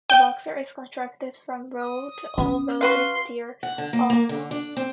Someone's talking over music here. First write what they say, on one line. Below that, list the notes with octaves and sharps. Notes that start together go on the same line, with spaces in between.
The Boxer is constructed from rolled all-welded steel armour.
G5
D#6
C#4
F#4 B4 F5 C6
F#5
D3
A#3
A#3
D3
D4
C4